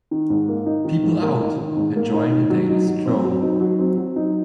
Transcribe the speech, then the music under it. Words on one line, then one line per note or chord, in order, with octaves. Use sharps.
People out enjoying a daily stroll.
D#3
G#2
A#3
D#4
D#3
G#2
A#3
D#4
D#3
G#2
A#3
D#4
D#3
F#3
D#4
F#3
C4
F#3
D#4
F#3
C4
F#3
D#4